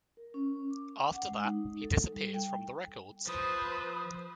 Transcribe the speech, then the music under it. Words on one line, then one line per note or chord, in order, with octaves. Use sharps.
After that he disappears from the records.
A#4
C#4
D6
F#5
G#3
D#4
A4
G3
G5
F3 B4 C5 D#6